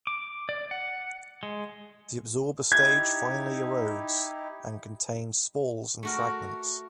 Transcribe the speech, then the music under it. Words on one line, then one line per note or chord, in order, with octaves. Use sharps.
The absorber stage finally erodes and contains spalls and fragments.
D6
D5
F#5
G#3
D#4 E4 G4 G#6
A3 F#4 A#4